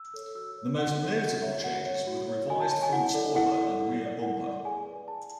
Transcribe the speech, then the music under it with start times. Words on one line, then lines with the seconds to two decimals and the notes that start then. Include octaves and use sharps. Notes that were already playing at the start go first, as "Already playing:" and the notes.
The most notable changes were the revised front spoiler and rear bumper.
Already playing: E6
0.14 A4 C#5
0.35 F#4 E6
0.56 A4 C#5
0.78 F#4 F#5
1.00 A4 C#5
1.21 F#4 F#5
1.42 C#5 E5
1.64 F#4 F#5
1.86 C#5
2.07 F#4
2.28 C#5
2.50 F#4 G#5
2.61 A5
2.71 C#5 A5
2.83 G#5
2.93 E4 F#5
3.14 A4 D5
3.36 E4 F#5
3.58 A4 D5
3.79 E4
4.00 A4 D5
4.22 E4 F#5
4.44 A4 D5
4.65 G#4 G#5
4.86 B4 D5
5.08 G#4 A5